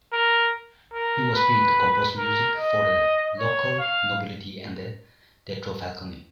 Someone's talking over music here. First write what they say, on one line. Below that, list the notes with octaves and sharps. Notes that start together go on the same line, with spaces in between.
He was paid to compose music for the local nobility and the Teatro Falconi.
A#4
A#4
B4
A#4
D#5
C#5
F5